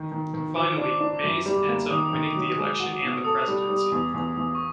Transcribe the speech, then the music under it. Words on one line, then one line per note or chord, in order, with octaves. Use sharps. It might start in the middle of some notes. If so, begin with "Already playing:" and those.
Finally, Mays ends up winning the election and the presidency.
Already playing: D#3
D#3
D#3
F3 D6
D4
D4
F#2
G3
A#3
D#3 D#6
D#3
F#3
G#3
F#4
B2
A4 D#6
G3
G3
E2
E2
E2
C#6